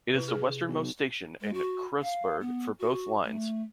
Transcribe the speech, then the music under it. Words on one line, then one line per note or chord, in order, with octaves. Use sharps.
It is the westernmost station in Kreuzberg for both lines.
C3 E4 B4
G#4
B1
G#3
F#4
F5
B3
F#4
A3